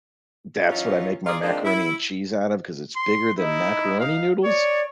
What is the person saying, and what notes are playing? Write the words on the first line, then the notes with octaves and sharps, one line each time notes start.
that's what I make my macaroni and cheese out of because it's bigger than macaroni noodles
F#2 E3 C#4 D#4 F4
D#4 F4 G#4 D5 F5
D#3 F3 G#3 A#3 C4 D4
E4
C6
D#4 E4
F5
C#5 D5